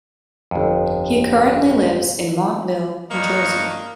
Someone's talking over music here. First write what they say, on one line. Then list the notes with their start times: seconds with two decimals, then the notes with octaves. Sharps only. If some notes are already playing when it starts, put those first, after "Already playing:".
He currently lives in Montville, New Jersey.
0.51 G1 F2
3.10 G2 A#3 D#5 C#6